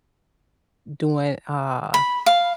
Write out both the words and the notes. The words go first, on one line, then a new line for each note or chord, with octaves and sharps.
doing, uh
B5
F5